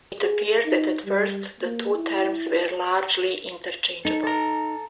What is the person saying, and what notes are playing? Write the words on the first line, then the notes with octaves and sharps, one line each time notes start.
It appears that at first the two terms were largely interchangeable.
G#4
D#4
G3
A#3
E4
D#4 A4
A4 A#5